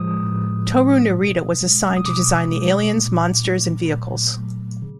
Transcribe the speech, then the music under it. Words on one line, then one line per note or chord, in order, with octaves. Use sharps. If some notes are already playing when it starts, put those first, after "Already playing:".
Tohru Narita was assigned to design the aliens, monsters, and vehicles.
Already playing: A2 F3 G#3 D#6
A2
F3 G#3
B2
G#3
D#6
B2 D6
G#3
A#2
F#3 A3
A#2
F#3 A3
C#3